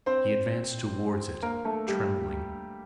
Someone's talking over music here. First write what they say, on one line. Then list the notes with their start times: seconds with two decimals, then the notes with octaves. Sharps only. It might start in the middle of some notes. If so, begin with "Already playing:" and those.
He advanced towards it trembling.
0.06 C4 C5
1.43 A#3 A#4
1.65 A3 A4
1.88 G3 G4